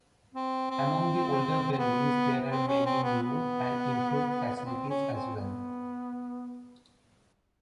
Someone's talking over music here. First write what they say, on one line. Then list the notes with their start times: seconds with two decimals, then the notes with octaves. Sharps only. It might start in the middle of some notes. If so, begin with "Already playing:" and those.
Among the older buildings, there are many new and improved facilities as well.
0.34 C4
0.71 C4
1.72 C4
1.78 B3
2.50 C4
2.68 C#4
2.86 C4
3.03 B3
3.22 B3
4.56 B3
4.65 C4
4.90 C#4
5.14 C4
5.37 B3